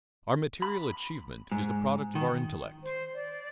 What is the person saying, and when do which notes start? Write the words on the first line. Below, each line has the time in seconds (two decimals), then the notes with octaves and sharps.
Our material achievement is the product of our intellect.
0.62 B5
1.52 G#2
2.15 D#3
2.83 C5
3.14 D5